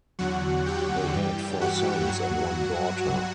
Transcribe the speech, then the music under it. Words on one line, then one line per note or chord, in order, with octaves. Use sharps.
They had four sons and one daughter.
E2 D3 F#3 F#4 F#5
G4 G5
G2 E3 G3
F#4 F#5
G2 F#3